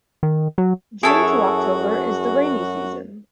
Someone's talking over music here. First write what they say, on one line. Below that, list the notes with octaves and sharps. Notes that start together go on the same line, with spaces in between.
June to October is the rainy season.
D#3
F#3
F#2 E4 F#4 G#4 A4 C#5